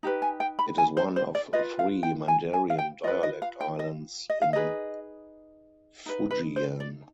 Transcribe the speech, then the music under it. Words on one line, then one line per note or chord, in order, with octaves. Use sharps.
It is one of three Mandarin dialect islands in Fujian.
D#4 G4 B4
G#5
G5
B5
G#5
C5
C5
D5
F4 B4 D#5
F5
G5
G#5
G#5
F5
G5
F4 B4 D#5
D#5
F5
G5
D#5
D#5
F5
D#4 G#4 B4 D#5
D#4 B4
B4
C5
D5